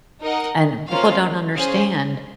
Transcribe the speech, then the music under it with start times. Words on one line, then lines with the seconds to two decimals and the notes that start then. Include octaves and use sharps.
And people don't understand
0.22 D#4 A#4 D#5 F#5
0.88 A#3 C#4 F4 C5 F5
1.55 C#4 G#4 C5 F5